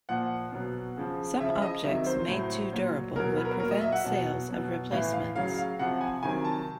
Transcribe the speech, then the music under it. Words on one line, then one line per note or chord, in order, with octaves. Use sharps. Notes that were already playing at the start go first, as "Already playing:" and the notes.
Some objects made too durable would prevent sales of replacements.
A#2 F3 F#5
B2 F#3
C#3 F3
C#3 F3 E5
D#5
C3 D#3 F#3 E5
C5
A2 F#3
A#2 F#3
B2 F#3 A#4
B4
A#4
A#2 F#3 A#4
D#5
E5
F#5
B2 F#3
B2 F#3
A2 E3 F5
F5
C#3 F#3 F5
F5
C3 F3 F#5
G#5
C3 D#3 F#3 G#5
A5